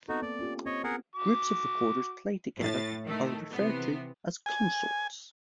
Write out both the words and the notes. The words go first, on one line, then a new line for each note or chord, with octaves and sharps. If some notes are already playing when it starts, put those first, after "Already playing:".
Groups of recorders played together are referred to as consorts.
B3 C4 D#4 F#4 A4
A#3 D5
C#4 F4 G4
C4 C#5 D#5
B3 G#4 A#4 F#5
F#4 D6
A2 A6
D#3 A3
C3 E3 B3
G#5